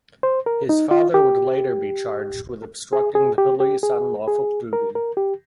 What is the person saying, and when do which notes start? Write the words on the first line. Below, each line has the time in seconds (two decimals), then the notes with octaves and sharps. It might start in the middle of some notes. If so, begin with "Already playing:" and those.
His father would later be charged with obstructing the police on lawful duty.
0.23 C5
0.46 A#4
0.69 D#4
0.91 F4
1.14 G4
2.93 G#4
3.15 G#4
3.38 G4
3.60 G4
3.83 G#4
4.28 G#4
4.73 A#4
4.95 A#4
5.17 G4